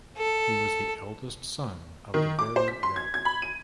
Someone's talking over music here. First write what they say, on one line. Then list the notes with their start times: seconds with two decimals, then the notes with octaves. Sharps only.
He was the eldest son of the Very Rev.
0.17 A4
2.14 D#3
2.39 D6
2.56 C5
2.68 B6
2.83 C6
2.96 G#6
3.14 G#6
3.25 B5
3.42 D#7